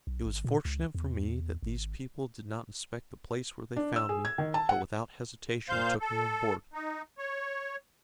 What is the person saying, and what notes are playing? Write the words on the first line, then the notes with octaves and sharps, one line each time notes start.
It was fortunate for me that these people did not inspect the place where they found me, but without hesitation took me on board.
B1
G#1
A#2
C#2
E2
G#1
D4
E6
G#4
G#6
D#3
A5
F#5
A#2 C5 F5 G6
A4
D#4
C#5